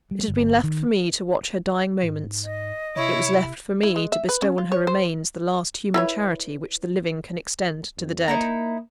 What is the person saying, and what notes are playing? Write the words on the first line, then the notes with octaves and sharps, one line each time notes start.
It had been left for me to watch her dying moments; it was left for me to bestow on her remains the last human charity which the living can extend to the dead.
G3
G1
D#3
G#2
D#5
C3 E4 C#5
E4
G#3
E5
B4
C#4
F4
C#5
C5
E4 B4 C#5
F2
A#3 D#4 E4 A#5